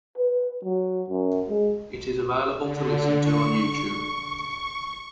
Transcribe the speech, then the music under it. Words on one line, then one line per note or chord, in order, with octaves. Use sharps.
It is available to listen to on YouTube.
B4
F#3
F#2
G#3
D3
C#6